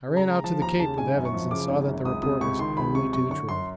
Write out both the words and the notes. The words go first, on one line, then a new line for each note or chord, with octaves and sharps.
I ran out to the Cape with Evans and saw that the report was only too true.
C#3
A#5
G#3
F3 A5
D#2 A#5
C#3 A5
G#1 G#5
F#2
C#6
F3
C#3 D6
G#1
F#2
C#2 D#6
C3 D#6
C#2 C#6
D#3 C6
C#2 B5
C3 C#6
F#2 C#6
D3 C#6
F#2 C6